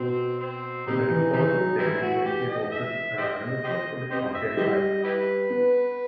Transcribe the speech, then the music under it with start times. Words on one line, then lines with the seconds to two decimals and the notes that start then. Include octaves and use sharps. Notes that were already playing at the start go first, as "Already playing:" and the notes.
The Metropolitan Stadium Committee voted unanimously for the Pontiac site.
Already playing: B2 C4
0.40 C4
0.87 C3 G3 C4 D#4
1.09 E3
1.33 E3 G3 C4 D#4
1.56 F#3
1.79 E3 G3 C4 E4
2.02 F#4
2.25 G4
2.49 D#5
2.71 E5
3.18 G4 C5 D#5
3.64 G4 C5 D#5
4.10 C4 G4 C5 D#5
4.34 E5
4.57 G3 G4 C5 D#5
5.04 E4 G4 B4
5.50 B3